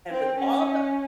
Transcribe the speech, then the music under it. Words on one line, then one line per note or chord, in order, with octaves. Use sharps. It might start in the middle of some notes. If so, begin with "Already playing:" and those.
And with all the
C4
C#4